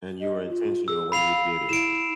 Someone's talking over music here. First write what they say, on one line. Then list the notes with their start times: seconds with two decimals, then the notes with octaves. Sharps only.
And you were intentional when you did it.
0.21 D#5
0.50 F4
0.88 G#4 E6
1.12 F5 B5 C7 F7
1.69 E4 D7 E7